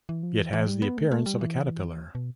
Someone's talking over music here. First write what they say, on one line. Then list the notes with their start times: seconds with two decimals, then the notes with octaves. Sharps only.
It has the appearance of a caterpillar.
0.09 E3
0.23 F3
0.37 E3
0.53 E3
0.67 G3
0.82 B3
0.97 A3
1.11 A3
1.26 G3
1.41 E3
2.15 B2